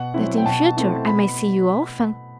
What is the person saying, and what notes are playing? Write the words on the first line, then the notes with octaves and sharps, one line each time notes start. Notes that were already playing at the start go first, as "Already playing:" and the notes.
"That in future I may see you often."
Already playing: B2 F#5
F#3 C4 E4
G5
B2 A5
A3 C4 E4
B2 B5